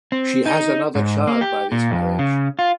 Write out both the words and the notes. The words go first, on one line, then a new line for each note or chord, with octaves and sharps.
She has another child by this marriage.
C4
D#4
G#2
A#3
G4
A#2
F2
C#3
F4